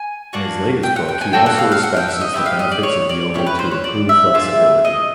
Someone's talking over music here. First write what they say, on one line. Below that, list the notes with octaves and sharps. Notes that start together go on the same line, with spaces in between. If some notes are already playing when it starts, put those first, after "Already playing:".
In his latest book he also espouses the benefits of yoga to improve flexibility.
Already playing: G#5
A#3 D4 F#4
G5
F#5
G5
G#5
A#3 D4 F#4 A4 G5
F#5
F5
F5
F#5
G5
E5
D#5
B3 E4 G4 E5
F5
D#5
D5
C#5
D5
C#4 E4 G4 C#5
B4
C5
C#5
D5
E5
D4 F4 G#4 E5
D#5